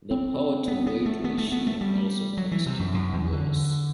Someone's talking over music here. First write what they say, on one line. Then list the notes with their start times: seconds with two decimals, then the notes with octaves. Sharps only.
The power to weight ratio also tends to be worse.
0.11 C4
0.68 B3
0.87 B3
1.06 A3
1.24 B3
1.38 A3
1.52 B3
1.67 A3
1.81 G3
2.37 F#3
2.52 E3
2.66 C3
2.79 F#2
2.94 F#2
3.13 E2
3.32 D3